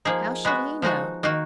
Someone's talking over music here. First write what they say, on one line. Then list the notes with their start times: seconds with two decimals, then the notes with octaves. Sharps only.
'How should he know?
0.05 F3 A#3 D#4 G#4
0.45 G#3 B3 F#4
0.82 F3 G#3 D#4 F#4
1.23 D#3 A#3 D#4 F#4